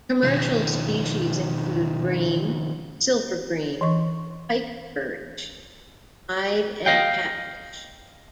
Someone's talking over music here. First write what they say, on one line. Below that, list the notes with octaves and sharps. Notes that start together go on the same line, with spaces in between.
Commercial species include bream, silver bream, pikeperch, ide, and catfish.
B2 D#3 F3 C#4
E3 D#5 C#6
D#5 F5 G5